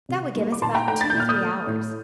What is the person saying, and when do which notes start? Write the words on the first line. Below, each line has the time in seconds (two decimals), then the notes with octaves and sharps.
That would give us about two to three hours.
0.09 C3
0.35 G3 A#3
0.52 D6
0.61 A#2 A5 C6
0.75 G5 A#5
0.88 A3 G5 A#5
1.01 A6
1.10 A#2 G6
1.20 F6
1.29 D#6 G6
1.41 A3
1.67 A2